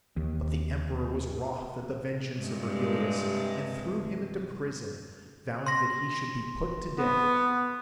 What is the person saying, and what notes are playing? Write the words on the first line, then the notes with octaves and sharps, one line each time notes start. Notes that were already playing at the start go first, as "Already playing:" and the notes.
But the emperor was wroth at the vengeance of Virgilius, and threw him into prison, vowing that he should be put to death.
D#2
G2 C3 G#3
C6 A#6
B3